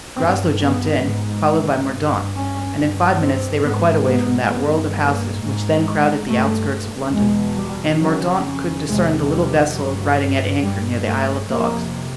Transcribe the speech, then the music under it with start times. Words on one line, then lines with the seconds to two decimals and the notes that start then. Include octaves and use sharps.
Groslow jumped in, followed by Mordaunt, and in five minutes they were quite away from that world of houses which then crowded the outskirts of London; and Mordaunt could discern the little vessel riding at anchor near the Isle of Dogs.
0.16 G2 C4
0.59 B3
1.03 G#2
1.89 G2
2.33 C#4
2.78 G2
3.20 C4
3.64 G#2 B3
4.08 B3
4.51 G2 B3
4.94 A#3
5.38 G#2
5.82 G#3
6.26 G2 A3
7.12 E2 B2 G#3
7.56 G3
8.00 F2 C#3 F#3
8.87 E2 C3 G#3
9.30 G3
9.74 G2 F#3
10.62 G2 G3
11.05 A3
11.49 F2 C3 A#3